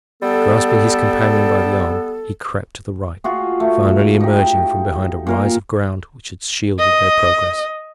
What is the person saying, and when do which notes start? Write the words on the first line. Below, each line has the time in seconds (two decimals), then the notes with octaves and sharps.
Grasping his companion by the arm, he crept to the right, finally emerging from behind a rise of ground which had shielded their progress.
0.22 G3 B3 A4
3.24 F4 F#4 G#4
3.60 A3
4.20 D#4 G4
5.27 A#2 A#4 F5
6.79 D#5